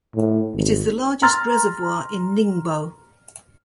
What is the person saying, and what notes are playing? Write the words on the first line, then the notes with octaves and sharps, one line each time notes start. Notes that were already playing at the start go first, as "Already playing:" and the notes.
It is the largest reservoir in Ningbo.
A2
G#1
A#5 C6 F6 A6